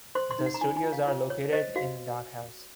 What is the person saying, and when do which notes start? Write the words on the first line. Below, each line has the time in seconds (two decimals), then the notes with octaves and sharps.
The studios are located in Dock House.
0.15 C5 C6
0.31 C6
0.39 D#4
0.46 F#5
0.54 A#5
0.61 F4 G#5
0.77 G#5
0.84 F4
0.92 F5
1.07 F4 C#5
1.30 C5 C#5
1.53 C5 D#5
1.76 F#4 F5